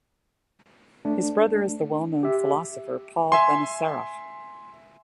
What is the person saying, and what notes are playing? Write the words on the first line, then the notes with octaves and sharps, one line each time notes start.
His brother is the well-known philosopher Paul Benacerraf.
A3 D4
G4 E5
E5 G#5 C6